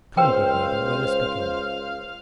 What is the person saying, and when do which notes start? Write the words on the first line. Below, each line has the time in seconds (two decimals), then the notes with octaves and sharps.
Come, good neighbour, let us be going.'
0.17 C#2 A#4 C5 F5 G5